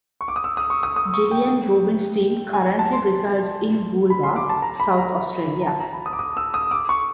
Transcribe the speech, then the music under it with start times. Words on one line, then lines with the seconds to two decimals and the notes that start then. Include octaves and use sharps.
Gillian Rubinstein currently resides in Goolwa, South Australia.
0.21 C#6
0.28 D6
0.36 D#6
0.44 E6
0.57 D#6
0.70 C#6
0.83 D#6
0.96 D#6
1.14 C#6
1.31 G5
2.53 G#5
2.67 G#5
2.79 A5
2.92 C6
4.10 B5
4.23 C6
4.36 D6
4.49 A5
4.62 A#5
4.80 B5
4.97 A#5
5.61 A#5
5.67 A5
5.80 A#5
5.93 B5
6.06 D#6
6.13 D6
6.19 D#6
6.37 E6
6.54 D#6
6.71 D6
6.89 C#6